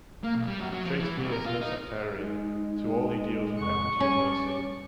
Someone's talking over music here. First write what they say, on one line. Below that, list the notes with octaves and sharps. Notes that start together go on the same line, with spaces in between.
Shakespeare is no sectarian: to all he deals with equity and mercy.
A#3
B1
G3
F#2
F#3
F3
E3
C2
A#4
F4
D#4
G#3 D#4
F2 C3 F#5 C#6
G3 C#4 A5 D6